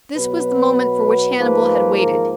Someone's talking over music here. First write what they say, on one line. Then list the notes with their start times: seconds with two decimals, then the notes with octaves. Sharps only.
This was the moment for which Hannibal had waited.
0.16 B2 F#3 B3 B4
1.37 G#2 F3 A#3 B4
1.97 A#4